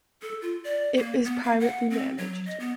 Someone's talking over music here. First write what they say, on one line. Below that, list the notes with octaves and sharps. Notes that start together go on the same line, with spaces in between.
It is privately managed.
A4
F4
D5
A#3
B3
F5
F#5
C4
F#3
D#5
B3